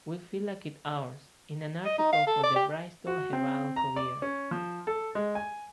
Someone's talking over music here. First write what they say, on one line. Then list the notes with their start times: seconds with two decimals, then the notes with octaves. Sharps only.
We feel like it ours, in an article for the Bristol Herald Courier.
1.85 D#5
1.98 D#4
2.12 F5
2.27 A4
2.43 D5
2.56 G4
3.07 F#4
3.33 C4
3.76 A#5
3.96 D5
4.22 C#4
4.51 F3
4.87 A4
5.15 G#3
5.35 G#5